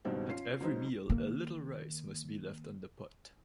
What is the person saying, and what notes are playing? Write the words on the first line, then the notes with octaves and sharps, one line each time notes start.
At every meal a little rice must be left in the pot.
C#2 G2 B2 D#3 G3 C4
C#4 F4 C7
C#2 F#3 D#4 C5
D#3 A#3